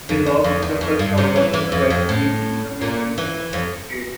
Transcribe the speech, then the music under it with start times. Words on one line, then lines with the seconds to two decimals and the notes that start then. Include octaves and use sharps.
They lost in the first round of the Horizon League Tournament to Youngstown State.
0.09 F2
0.26 E2
0.44 F2
0.62 E2
0.81 F2
0.99 G2
1.18 C3
1.36 E3
1.54 E3
1.72 F2
1.90 F2
2.09 A2
2.81 A#2
3.18 E3
3.53 F2